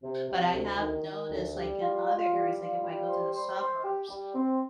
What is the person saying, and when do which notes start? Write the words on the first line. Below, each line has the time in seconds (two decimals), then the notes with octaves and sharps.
but I have noticed, like, in other areas, like, if I go to the suburbs
0.03 C3
0.28 C3
0.53 D2
0.79 D#3
1.04 D#3
1.30 D2
1.55 G3
1.81 F4
2.06 F4
2.32 G3
2.58 F4
2.83 G3
3.08 C5
3.33 C5
3.58 C5
3.84 G4
4.09 G3
4.35 C4